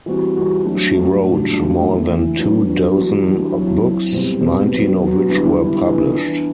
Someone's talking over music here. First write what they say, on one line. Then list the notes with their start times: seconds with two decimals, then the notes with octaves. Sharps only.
She wrote more than two dozen books, nineteen of which were published.
0.06 E3 G3 C4 F#4
0.36 E3 G3 C4 F#4
0.64 F#3 A3 D4 F#4
0.93 F#3 A3 D4 F#4
1.23 A2 G3 D4 F#4
1.51 A2 G3 D4 F#4
1.80 E3 A3 E4
2.09 E3 A3 E4
2.38 F#3 B3 D4 F#4
2.68 F#3 B3 D4 F#4
2.96 E3 G3 D4 F#4
3.25 E3 G3 D4 F#4
3.54 F#3 C4 E4
3.83 F#3 C4 E4
4.12 B2 G3 C4
4.41 B2 G3 C4
4.70 F#3 B3 F#4
4.99 F#3 B3 F#4
5.28 D3 G3 B3 E4
5.57 D3 G3 B3 E4
5.86 E3 B3 D4
6.15 E3 B3 D4